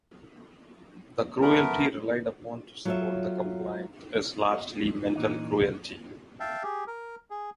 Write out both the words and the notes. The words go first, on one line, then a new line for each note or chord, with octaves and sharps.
The cruelty relied upon to support the complaint is largely mental cruelty.
A3 B3 A#4
F#3 F4 A4 C5 C#5 E5
A#2 E3 D#4
E5 F5 G5 A5
G4 G#4
A#4
G#4